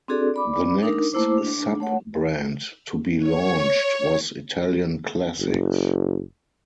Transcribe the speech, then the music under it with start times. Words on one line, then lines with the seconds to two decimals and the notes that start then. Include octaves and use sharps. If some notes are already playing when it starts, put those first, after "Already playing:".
The next sub-brand to be launched was "Italian Classics".
0.08 C4 D4 F#4 G#4 A4 D5
0.34 D5 B5 D6
0.83 D4 D#4 A#4
1.13 A3 A#3 E4 C5 D6
1.38 D4
1.80 A3 C#5 F#5
3.19 C#5
5.40 F#1